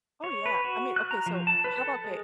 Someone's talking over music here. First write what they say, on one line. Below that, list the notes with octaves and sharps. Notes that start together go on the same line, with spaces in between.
Oh, yeah. I mean, okay. So how about, 'kay
C#5
B4
F#4
F#6
A#5
F3
A5
B4
A4
G#3